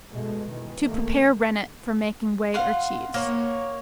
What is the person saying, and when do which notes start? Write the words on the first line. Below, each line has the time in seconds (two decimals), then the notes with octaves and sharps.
To Prepare Rennet for making Whey or Cheese.
0.12 G2 B2 G#3 A3
0.48 B2 D#3 E3
0.82 D#2 D#3 A3 A#3
2.54 F5 F#5 C6
3.14 A#3 C#5